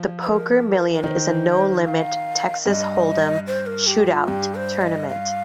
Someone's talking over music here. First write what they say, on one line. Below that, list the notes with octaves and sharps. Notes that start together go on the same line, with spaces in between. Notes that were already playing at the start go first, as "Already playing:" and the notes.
The Poker Million is a no-limit Texas holdem "shootout" tournament.
Already playing: F3
C5
A#4
A#4
D#3 C5 D#5
F5
G2 D#5
C5
A#4
G4
F4
G2 G4
C5
D#5
F5